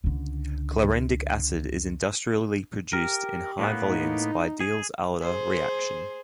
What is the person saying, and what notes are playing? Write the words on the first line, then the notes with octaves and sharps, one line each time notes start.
Chlorendic acid is industrially produced in high volumes by Diels-Alder reaction.
C#2 D3
G4 A#4
A2 A#3 B3
D#4
G#4
G#4 C5